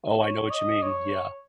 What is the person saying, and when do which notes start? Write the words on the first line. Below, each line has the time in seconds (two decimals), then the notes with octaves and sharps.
Oh, I know what you mean. Yeah,
0.19 C#5
0.51 D#5
0.83 C#5